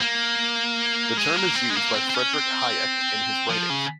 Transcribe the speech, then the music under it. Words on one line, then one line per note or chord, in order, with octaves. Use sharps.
The term is used by Friedrich Hayek in his writings.
A#3
G#3
A#3
C4
G#3
A#3
C4
C4
C#4
C4
F3
C#3